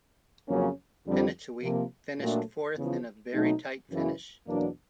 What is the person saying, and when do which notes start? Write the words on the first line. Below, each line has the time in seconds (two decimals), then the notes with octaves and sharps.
Penicuik finished fourth in a very tight finish.
0.48 F2 C#3 F#3 A#3 C#4
1.06 F2 D3 G3 C4
1.62 C3 F3 A#3
2.20 A#2 F#3 A3 D4
2.76 E2 C#3 F3
3.33 B2 F#3 A3 C4 D#4
3.90 F#2 C#3 E3
4.47 E2 B2 F#3 A#3 D4